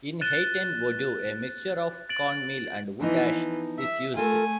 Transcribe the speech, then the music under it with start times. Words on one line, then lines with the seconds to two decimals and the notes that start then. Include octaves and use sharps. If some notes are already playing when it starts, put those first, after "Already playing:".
In Haitian Vodou, a mixture of cornmeal and wood ash is used.
0.21 F#6 A6 D#7 E7 G7
2.09 A6 D7 F#7
3.01 E3 F3 B3 D#4
3.79 E5
4.17 A3 F4 A4 A#4 G#5